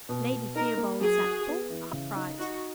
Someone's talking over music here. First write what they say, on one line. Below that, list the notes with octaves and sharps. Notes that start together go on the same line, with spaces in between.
Lady Theobald sat bolt upright.
B2
B2
D#4 A#4
A#3
F#3 G#4
F#4
B3
E3
C#3
D#4
D#4 F#4